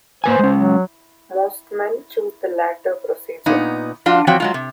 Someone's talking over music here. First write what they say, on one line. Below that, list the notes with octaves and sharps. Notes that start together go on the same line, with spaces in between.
Most men choose the latter procedure.
A#3 B4 C5 G#5
G#3 C#4
F#3
A#2 B3 D#4
F3 D4 F4 F#4
E3 F3 C4 F#4 C#5 G5
F#3 G#3 F4
C3